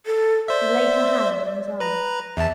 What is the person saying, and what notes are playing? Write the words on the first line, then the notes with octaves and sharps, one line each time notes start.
She laid her hand on his arm.
A4
C5 D5 E5
B4 A#5
E2 E5 A5